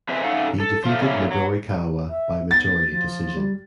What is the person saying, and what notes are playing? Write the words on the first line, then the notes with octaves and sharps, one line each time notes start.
He defeated Midorikawa by majority decision.
C4 G#4 B4 C5 D#5 E5
A3 C#4 D#4 A4 F5 F#5
A4
A3 F4 C5
F2 A#2 D3 C#4 E4 F4
F#3
E5
B3 A6
F3
G3